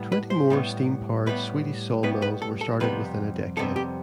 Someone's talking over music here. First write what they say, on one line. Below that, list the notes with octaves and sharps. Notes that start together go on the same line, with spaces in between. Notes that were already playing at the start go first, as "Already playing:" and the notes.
Twenty more steam powered Swedish saw mills were started within a decade.
Already playing: A2 G3 B3
B4
C5
A2 G3 B3
A2 G3 B3 B4
A2 G3 B3 B4
B4
A4
A4
F2 C3 G3 B3 B4
F2 C3 G3 B3 A4
G4